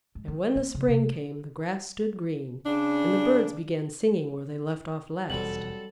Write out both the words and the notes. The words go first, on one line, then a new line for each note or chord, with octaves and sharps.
And when the spring came the grass stood green, and the birds began singing where they left off last.
G#3
D#3
A#3
C#3
C3
C#3 D4
E1 D#2 F#3 G3 C4 A4 F#7